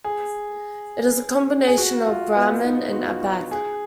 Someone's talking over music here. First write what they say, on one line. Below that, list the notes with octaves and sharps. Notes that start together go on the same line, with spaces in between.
It is a combination of Brahman and Abad.
G#4
G#4
F#4
F4
B3
D#4
F#4
F4
F#4
F#4
G#4